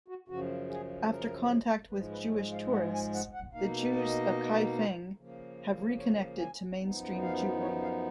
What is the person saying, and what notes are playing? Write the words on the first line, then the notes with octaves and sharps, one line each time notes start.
After contact with Jewish tourists, the Jews of Kaifeng have reconnected to mainstream Jewry.
F#4
F#2 C#3 F3 F#4
G#4
A#4
G#2 F3 G#3 B4
B4
C#5
F5
F#5
G#5
F#5
F#5
B2 A#3 D#4 F5
D#5
C#3 F3 A#3
C#5
G#5
F#2 F3 B3 D#4
F5
C#5
F5